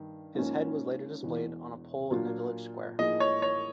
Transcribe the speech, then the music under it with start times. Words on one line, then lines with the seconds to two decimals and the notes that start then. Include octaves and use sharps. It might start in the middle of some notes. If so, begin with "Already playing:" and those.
His head was later displayed on a pole in a village square.
Already playing: G2 D#3
0.35 G#2 F3 A#3 C#4
1.23 E1 E2 B2
2.11 A#2 F#3 A#3 D4 F4
2.98 A2 F3 A#3 D#4 G#4 D#5
3.20 C#5
3.42 C#5